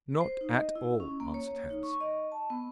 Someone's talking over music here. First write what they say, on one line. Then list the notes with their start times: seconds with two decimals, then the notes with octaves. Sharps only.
'Not at all!' answered Hans.
0.21 C5
0.41 D#4
0.54 D#5
0.75 E4
1.00 C#4
1.20 A#3
1.34 C#5
1.70 D#4
1.83 C#6
2.01 D#5
2.32 A5
2.50 B3